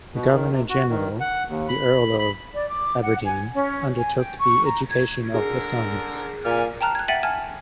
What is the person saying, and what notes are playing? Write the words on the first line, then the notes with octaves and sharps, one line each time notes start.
The Governor-General, the Earl of Aberdeen undertook the education of the sons.
B2
D#3
C3
F#4
D#3
F#5
D#2
B5
B5
D5
D6
F#5
G#5
C#4
G#5
G5
C#6
A#5
G#6
D3 G#4 A#4
A#2 D5 G#5 F6
G5 A5 A#5 F6 F#6
F#6 G#6
E5 F#5 G5 A6 D#7 F#7
G#5 A5 F6 G#6